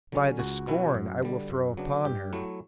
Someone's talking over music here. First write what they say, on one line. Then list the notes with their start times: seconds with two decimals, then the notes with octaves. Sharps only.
"By the scorn I will throw upon her."
0.12 D3 F#3 C#4
0.39 C#2 F#4
0.67 B2 F#3 C#4 E4
0.94 F#2
1.22 D3 G3
1.50 F#2
1.77 C#3 F#3 B3 D4
2.05 G2 G4
2.33 F#3 A3 E4